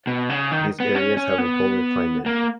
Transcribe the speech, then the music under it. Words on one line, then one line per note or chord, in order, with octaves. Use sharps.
These areas have a polar climate.
B2
C#3
D#3
B3
C#4
C#4
B3
A#3